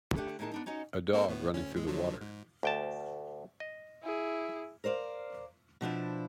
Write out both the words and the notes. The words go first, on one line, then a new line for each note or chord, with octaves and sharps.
A dog running through the water.
D3 A3 D4 G4
A2 D3 D#3 D#4 G#4 A5
B3 D4 D#4
C#4 D#4 F#4 D#5
A#3 C4 A4
A2 B3
D2 C#4
A1 G#3
D3 F3 F#3
G#2
D2 G5 A5
D#5
E4 G#4
A#4 C5 D5 F5
B2 F3 D4 E4